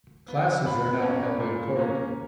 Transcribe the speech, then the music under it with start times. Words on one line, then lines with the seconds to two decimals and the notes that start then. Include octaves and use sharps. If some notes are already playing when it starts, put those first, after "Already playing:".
Classes are now held in Corydon.
0.28 B3
0.65 A#2 B5
1.02 A#3 C#4
1.40 A#2
1.76 A#3 C#4